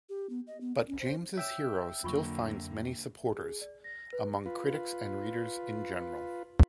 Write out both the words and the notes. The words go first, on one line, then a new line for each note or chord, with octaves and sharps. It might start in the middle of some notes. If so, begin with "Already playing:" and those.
But James' hero still finds many supporters, among critics and readers in general.
G4
B3
D#5
B3
D5
C#4
C5
C#5 E5 G5 E6
F2 D3 F#3 A#3 F4 B5 C#6
G#4
D5
A#6
B4
F4 B4